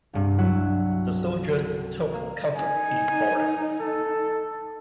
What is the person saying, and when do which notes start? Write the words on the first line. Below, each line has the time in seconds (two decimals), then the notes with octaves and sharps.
The soldiers took cover in forests.
0.13 C2 G2
0.38 F#3 E4 F#4
2.13 A#3
2.57 D#4 G#5
3.80 A4